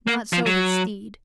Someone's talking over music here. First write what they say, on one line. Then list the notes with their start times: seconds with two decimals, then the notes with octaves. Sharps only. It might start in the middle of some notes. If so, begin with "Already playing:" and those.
Not so his steed.
0.07 A#3
0.33 F3
0.46 F#3